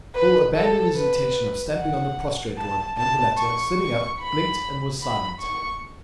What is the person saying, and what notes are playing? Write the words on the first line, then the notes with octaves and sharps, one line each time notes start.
Bill abandoned his intention of stamping on the prostrate one, and the latter, sitting up, blinked and was silent.
B4
A4
B4
F#5
A5
A5
C#6
C#6
B5
B5
C#6